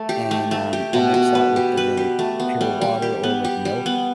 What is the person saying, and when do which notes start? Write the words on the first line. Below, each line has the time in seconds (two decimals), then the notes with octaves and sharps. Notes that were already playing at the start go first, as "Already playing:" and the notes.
And, um, I'll mix that with the really pure water or with milk,
Already playing: A3
0.09 G4
0.31 A3
0.51 A3
0.73 G4
0.93 B2
1.14 B2
1.35 B4
1.56 G4
1.77 B4
1.97 G4
2.19 A3
2.40 B3
2.61 G3
2.81 G3
3.02 G4
3.23 B3
3.45 G4
3.65 G3
3.86 B3